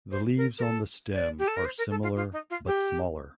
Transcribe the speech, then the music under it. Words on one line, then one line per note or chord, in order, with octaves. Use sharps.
The leaves on the stem are similar but smaller.
C5
A#4
A#4
A4
D5
G4
A4
A#4
C5
A#4
A4
F4
F4
D#4
F4
G4